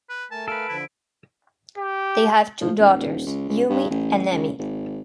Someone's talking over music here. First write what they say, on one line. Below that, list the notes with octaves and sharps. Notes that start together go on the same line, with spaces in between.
They have two daughters, Yumi and Emi.
B4
A3 A#4 G#5 A5
A4 B4 F5 D7
D3 F3 E4
G4
F3
D#1
C#2
C#2
G2
A1
C#2
G#1